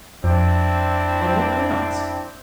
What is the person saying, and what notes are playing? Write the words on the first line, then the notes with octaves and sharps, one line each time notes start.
"On what grounds?"
F2 C4 D4 E4